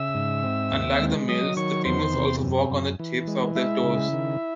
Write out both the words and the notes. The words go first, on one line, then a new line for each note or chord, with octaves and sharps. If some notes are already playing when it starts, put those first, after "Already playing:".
Unlike the males, the females also walk on the tips of their toes.
Already playing: C#3 E5 E6
G#2
C4
D#2
G#3
F#3 D#5 D#6
D#3 C#5 C#6
E2 C5 C6
C3
F#2
F#2
E3
G#3
G#3 E4 E5
C#3
D#3